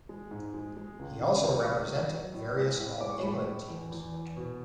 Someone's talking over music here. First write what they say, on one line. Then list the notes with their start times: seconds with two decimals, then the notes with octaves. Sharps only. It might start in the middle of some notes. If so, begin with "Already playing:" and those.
He also represented various All-England teams.
0.09 G#3
0.31 G#2
0.54 G#3
0.77 G#3
0.99 C#2
1.21 C#3
1.43 C#2
1.60 C#6
1.66 C#2 B5
1.89 F#3
2.11 F#3
2.34 A2
2.57 G#3
2.78 A2
3.01 G#3 D6
3.11 C#6
3.22 A2 B5
3.31 C#6
3.46 A2
3.69 E2
3.92 E2
4.14 E2
4.37 B2